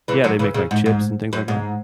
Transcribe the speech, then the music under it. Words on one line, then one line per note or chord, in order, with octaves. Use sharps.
Yeah, they make, like, chips and things like that.
C#3 E3
D3 F#3
C#3 E3
C#3
G#2
G#2
F#2
G#2